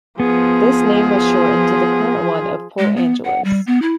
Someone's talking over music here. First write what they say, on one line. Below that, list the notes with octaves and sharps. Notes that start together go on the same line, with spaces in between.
This name was shortened to the current one of Port Angeles.
F3 B3 G#4
G#3
B3
F#5
G3
B3
E4